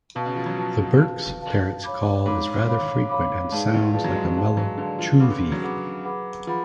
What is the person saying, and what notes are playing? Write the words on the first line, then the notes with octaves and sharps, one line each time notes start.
The Bourke's parrots call is rather frequent and sounds like a mellow 'chu-vee'.
B2 F#4 B4 F5 A5
C#3
F3
F#3
F3 F#4 B4 F5 A5
F#4 B4 F5 A5
F#4 B4 F5 A5
C#5 F5 B5 D6
G#2 C#5 F5 B5 D6
C#5 F5 B5 D6
C#5 F5 B5 D6
G#2 G#4 B4 D5 F5 A5
A2
F3 G#4 B4 D5 F5 A5
F#3
G#3
F#3
G#3 G#4 B4 D5 F5 A5
F#3
D3 G#4 B4 D5 F5 A5
F3
C#3 G#4 B4 F#5 B5 D6
D3
F#3
G#4 B4 F#5 B5 D6
G#4 B4 F#5 B5 D6
F3 G#4 B4 F#5 B5